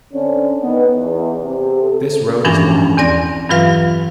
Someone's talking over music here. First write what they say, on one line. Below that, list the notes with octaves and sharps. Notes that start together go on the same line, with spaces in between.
This road is long.
D3 C4 C#4
D#3 B3
E2
C3
A4
G2 E3 F3 C#4 D4 G#5
E2 C4 D5 A#6
G2 E3 F#3 F4 B4 F5